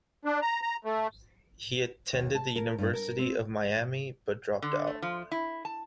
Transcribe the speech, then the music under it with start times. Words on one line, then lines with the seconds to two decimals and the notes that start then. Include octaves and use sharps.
He attended the University of Miami but dropped out.
0.25 D4
0.42 A#5
0.62 A#5
0.85 A3
2.13 D#2
2.35 A5
2.56 A#4
2.78 G2
2.93 A#4
3.19 C4
4.62 D3
4.87 A3
5.02 F3
5.32 E4
5.65 A5